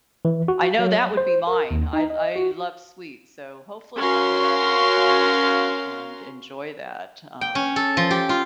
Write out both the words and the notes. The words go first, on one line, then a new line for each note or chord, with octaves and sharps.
I know that would be mine, I I love sweets, so hopefully one day I'll be able to go there and and enjoy that, um,
E3
F#4
F#3
C5
A#4
D#2
D#4
D#5
F#4
C#4 F#4 A#4 F5 C6
G5
C#4
A4
F3
G4
F4